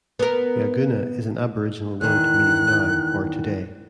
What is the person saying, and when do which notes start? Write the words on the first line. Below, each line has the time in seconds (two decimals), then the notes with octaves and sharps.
Yagoona is an Aboriginal word meaning 'now' or 'today'.
0.19 B3 A#4
2.01 E2 D#3 F#6